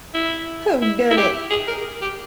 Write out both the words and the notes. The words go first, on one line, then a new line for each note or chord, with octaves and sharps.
Who Done It?
E4
E4
E4
G4
G#4
A#4
G4